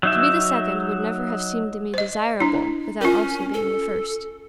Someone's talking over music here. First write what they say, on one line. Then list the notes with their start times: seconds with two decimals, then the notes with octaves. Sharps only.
To be the second would never have seemed to me desirable, without also being the first.
0.03 F#3 D#4 E5
1.94 C5 D#5
2.40 D4 E4
3.01 C#4 F4 A#4
3.54 A4